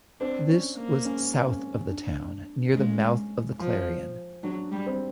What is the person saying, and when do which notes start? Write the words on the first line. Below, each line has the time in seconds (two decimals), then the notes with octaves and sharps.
This was south of the town near the mouth of the Clarion.
0.20 C4 D4
0.48 C#4
0.76 A#3
1.05 C#4
1.47 C#4
1.90 D4
2.74 G#3 C#4
3.59 F3
4.43 F#3 D4
4.72 G3
4.86 C4